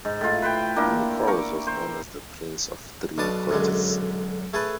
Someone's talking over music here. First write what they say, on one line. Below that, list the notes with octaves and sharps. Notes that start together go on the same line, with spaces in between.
Nicholls was known as the "Prince of Threequarters".
G#2
A2 F4
B4 C5 G5
A#3 D4 E4
A#4 C#6 D6
C5
B1 B2 D4 A5 D#6
B1 F#2 D3 G#3
A3 G#4 A4 B4